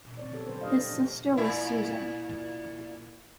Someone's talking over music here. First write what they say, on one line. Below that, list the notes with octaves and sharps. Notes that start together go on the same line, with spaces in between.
His sister was Susan.
C4 C#5 D5
D3 F3 B3 G4 A4
A#2 F#3 C#4 B4 C5
A#3 D4 G4 D5 D#5 F5
D4 C#5
A#2 E4